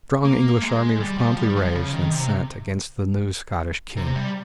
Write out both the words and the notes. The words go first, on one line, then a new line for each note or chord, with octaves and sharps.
A strong English army was promptly raised and sent against the new Scottish King.
A#3
G#3
G3
F3
G3
F3
C#3
D#3
C3
C3
G3